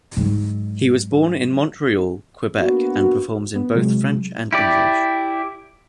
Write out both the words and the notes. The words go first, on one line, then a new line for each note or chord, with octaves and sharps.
He was born in Montreal, Quebec and performs in both French and English.
G#2 F#3
A#3 B3 D4 F#4
B3
C3 F#3 G#3
E4 G4 D5